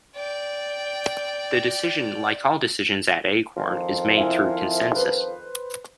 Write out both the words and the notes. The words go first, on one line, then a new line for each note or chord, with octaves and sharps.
The decision, like all decisions at Acorn, is made through consensus.
D5 G5
F2 D#3 F3
E4 E5 G#5
B4 C5